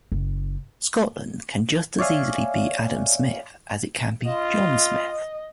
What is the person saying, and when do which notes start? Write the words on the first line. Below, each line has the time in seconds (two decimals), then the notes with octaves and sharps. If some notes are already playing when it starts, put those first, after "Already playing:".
'Scotland' can just as easily be Adam Smith as it can be John Smith.
0.12 F#1
1.99 C#5 D5 E5 F5 G#5
4.26 F4 D#5